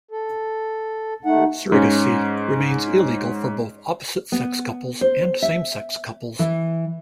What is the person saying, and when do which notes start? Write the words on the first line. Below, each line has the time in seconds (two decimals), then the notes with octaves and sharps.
Surrogacy remains illegal for both opposite-sex couples and same-sex couples.
0.11 A4
1.25 D#2 A3 D#4 F#5
1.72 G#2 C#4
4.32 B3
5.01 C5
5.42 E5
6.39 E3